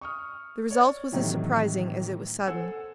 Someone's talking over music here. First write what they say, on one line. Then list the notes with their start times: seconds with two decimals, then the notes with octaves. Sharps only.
The result was as surprising as it was sudden.
0.01 C#6 D#6 F6
0.71 C#5 D5
1.12 A2 C3 D#3 E3 F#3
2.47 A4 C5 F#5 G#5 E6